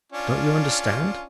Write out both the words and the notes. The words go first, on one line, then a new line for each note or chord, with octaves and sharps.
Don't you understand?
C#4 D4 F4